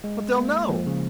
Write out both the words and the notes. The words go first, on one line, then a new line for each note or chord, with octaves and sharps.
"But they'll know...."
G#3
A#3
F3
C#3